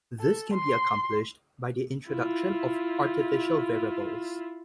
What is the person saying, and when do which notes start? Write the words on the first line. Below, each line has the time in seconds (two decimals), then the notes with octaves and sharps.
This can be accomplished by the introduction of "artificial variables".
0.20 A4
0.54 C6
2.10 E4 F4